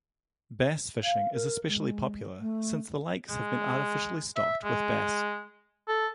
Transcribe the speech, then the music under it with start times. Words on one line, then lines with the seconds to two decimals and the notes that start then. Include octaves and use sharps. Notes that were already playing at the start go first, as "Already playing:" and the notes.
Bass fishing is especially popular, since the lakes have been artificially stocked with bass.
1.03 F5
1.33 A#4
1.67 G#3
2.40 A3
3.30 G#3
4.36 E5
4.64 G#3
5.88 A4